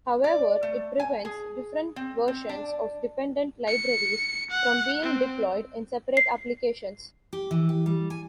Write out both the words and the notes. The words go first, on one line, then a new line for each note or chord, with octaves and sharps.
However, it prevents different versions of dependent libraries from being deployed in separate applications.
D5
A3
G#5
G#4
C4
C4
D4
C#7
F#5
C4
C7
G4
E3
G4
G3
G#5